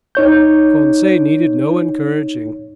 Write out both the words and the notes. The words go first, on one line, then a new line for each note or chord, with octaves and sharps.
Conseil needed no encouraging.
D#4 C#5 G6